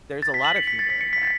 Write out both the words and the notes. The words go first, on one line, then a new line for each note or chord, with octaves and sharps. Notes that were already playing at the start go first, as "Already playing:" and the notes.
There's a lot of humor in that.
A6
B6
F#7
C#7
B6
A6
B6
C#7
B6
A6